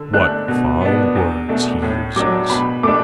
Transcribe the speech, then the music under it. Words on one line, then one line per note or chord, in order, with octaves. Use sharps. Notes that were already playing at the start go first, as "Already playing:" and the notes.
"What fine words he uses!"
Already playing: D3 E6
A3 D4 F#6
B2
B3 D4
E2
B2 A3 D4
A2
F#3 D4 D6
B2 B5
A3 D4 D6